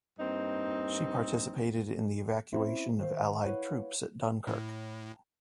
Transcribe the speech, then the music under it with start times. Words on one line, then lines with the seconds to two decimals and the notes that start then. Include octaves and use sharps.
She participated in the evacuation of Allied troops at Dunkirk.
0.20 G2 A#3 C4 D#4
2.52 C4 C#4 E4
2.99 D#3 C5 F5
3.45 E4 B4 C#5 F5 F#5
4.47 A2